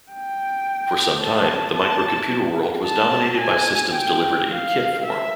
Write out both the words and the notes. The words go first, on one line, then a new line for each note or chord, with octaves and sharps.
For some time the microcomputer world was dominated by systems delivered in kit form.
G5
A5
A5
A5
G#5
G5
F5
E5